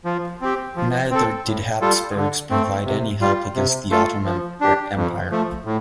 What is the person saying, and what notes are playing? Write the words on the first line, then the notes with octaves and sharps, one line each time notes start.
Neither did Habsburgs provide any help against the Ottoman Empire.
F3
C4 G4
F3
C4 A4
A2
G3 F4 A4
D3
A3 C4
C3
G3 F4
C3
A3 F4 A4
F3
D4 G4
F2
F3 A3
A2